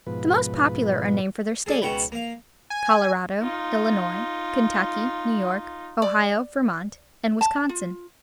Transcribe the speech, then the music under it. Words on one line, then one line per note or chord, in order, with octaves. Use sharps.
The most popular are named for their states: Colorado, Illinois, Kentucky, New York, Ohio, Vermont and Wisconsin.
G#2 B2 F3 B4
G#4 A4 D5 D#6
C#2 B2 C#5 F#5 G5 B5
A#3 F5
G#5
D#4 F4
D5
A5
F4